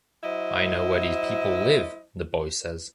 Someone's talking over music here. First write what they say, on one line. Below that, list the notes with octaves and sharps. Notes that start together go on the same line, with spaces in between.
I know where these people live”, the boy says.
F#3 E4 C5 D#5